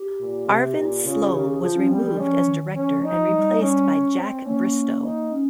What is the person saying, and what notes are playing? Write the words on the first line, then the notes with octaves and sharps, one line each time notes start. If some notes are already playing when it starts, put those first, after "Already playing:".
Arvin Sloane was removed as director and replaced by Jack Bristow.
Already playing: G4
A#2
C3 G4
A#2
C#3 F4
C#3 G4
G#4
F3 F4
C#4
G3 C4
F3
F3 C#4
D#3
F3 C#4
D#4
G3
C#4
C4
A#3 C#4
D#4
C#4